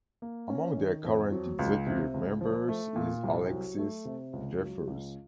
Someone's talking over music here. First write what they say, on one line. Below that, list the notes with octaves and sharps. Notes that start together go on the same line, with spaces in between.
Among their current executive members is Alexis Jeffers.
A#3
C#4
D#3
F2
F#3
C#2
C3
C#2
F3
A3
A#2
C2
F#3
A3
C3
C#2
F#3
C#2